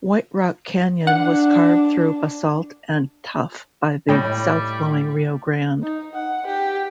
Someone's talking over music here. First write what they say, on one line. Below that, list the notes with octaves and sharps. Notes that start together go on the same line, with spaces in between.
White Rock Canyon was carved through basalt and tuff by the south-flowing Rio Grande.
D4 F#5
A2 G3 C#5 D#5 G5 B5 A#6
D#4
F#5
G4